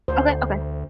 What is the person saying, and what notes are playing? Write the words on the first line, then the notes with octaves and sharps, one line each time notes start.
Okay, okay.
D2 C5